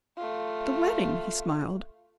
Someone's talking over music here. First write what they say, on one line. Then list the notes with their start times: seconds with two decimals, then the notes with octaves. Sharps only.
"The wedding," he smiled.
0.17 A3 F4